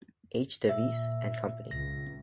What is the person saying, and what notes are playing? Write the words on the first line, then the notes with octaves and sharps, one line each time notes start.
H. Davies and Company.
A#2 E5
C#2 A#6